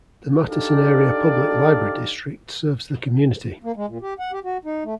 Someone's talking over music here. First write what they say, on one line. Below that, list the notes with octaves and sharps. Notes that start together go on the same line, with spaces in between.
The Matteson Area Public Library District serves the community.
D4 D#4 G4 A4 D5 F5
A#3
G#3
A#2
G4
F#5
G4
F#4
D#4
A3